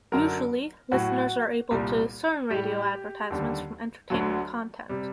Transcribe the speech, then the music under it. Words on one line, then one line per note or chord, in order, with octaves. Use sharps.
Usually, listeners are able to discern radio advertisements from entertainment content.
F#2 D3 F#3 A#4
A2 F#3 F#4
C2 A#2 G3
A2 G3 G4
D#2 D3 G3
D2 D3 F#3
C3 G3